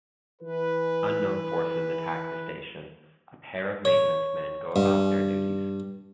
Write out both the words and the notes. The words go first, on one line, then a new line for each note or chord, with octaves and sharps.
Unknown forces attack the station; a pair of maintenance men go about their duties.
E3 B4
C#5
G2